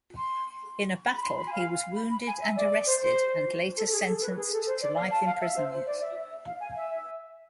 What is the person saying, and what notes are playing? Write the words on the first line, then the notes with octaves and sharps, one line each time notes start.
In a battle he was wounded and arrested and later sentenced to life imprisonment.
C6
B5
B5
C6
B5
G#5
F5
B5
B5
G#5
E5
D5
C5
C5
A4
G#4
A4
B4
G#4
A4
C5
D5
F5
A5
F5
E5
C5
C5
D5
E5
F5
G#5
E5